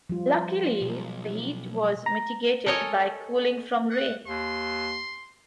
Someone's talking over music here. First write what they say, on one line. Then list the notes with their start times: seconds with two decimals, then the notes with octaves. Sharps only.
Luckily, the heat was mitigated by cooling from rain.
0.09 F3 G3 F4
0.81 B1
2.06 A#5
2.66 A4 A#4 C#5 D#5 G#5
3.90 F#5
4.27 D#2 C6